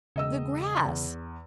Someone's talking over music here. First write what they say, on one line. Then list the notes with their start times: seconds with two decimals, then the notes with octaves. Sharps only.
"The grass."
0.16 E1 C#3 D#5 E6
0.85 E2